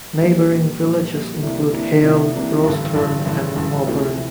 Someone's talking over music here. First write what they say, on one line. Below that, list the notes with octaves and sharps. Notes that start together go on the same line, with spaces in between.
Neighbouring villages include Hale, Rostherne and Mobberley.
A#1 A#2 G3
A#1 A#2 G3
A#1 A#2 G3
A#1 A#2 G3
C2 C3 E3 A#3 D4
C2 C3 E3 A#3 D4
C2 C3 E3 A#3 D4
C2 C3 E3 A#3 D4
A1 G2 D3
A1 G2 D3
A1 G2 D3
A1 G2 D3
D2 C3 F3 A3 E4